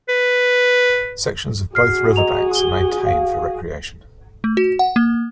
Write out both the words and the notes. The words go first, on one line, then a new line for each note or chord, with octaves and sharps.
Sections of both river banks are maintained for recreation.
B4
F#4 G#4 F6 C7
D#5 A#5 F7
G7
F5
A3
F#4
F#5
A#3